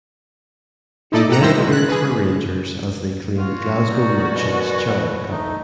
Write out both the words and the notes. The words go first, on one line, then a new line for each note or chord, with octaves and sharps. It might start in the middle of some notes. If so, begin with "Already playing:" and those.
He then appeared for Rangers as they claimed the Glasgow Merchants Charity Cup.
D#4 E4 A4 D5 D#5
G4 A4 F#5 A#5
F#2 G3 E4 C5 E6 A#6
G#3 F#4
F#6
G#4 B4
C#4 F4 F#4
D#4 D5
F#2 B2 B4
A3 D#4 D#5